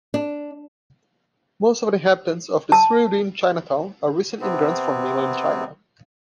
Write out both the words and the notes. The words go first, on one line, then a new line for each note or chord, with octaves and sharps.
Most of the inhabitants of the Cyrildene Chinatown are recent immigrants from mainland China.
D4
A5
C3 B3 C4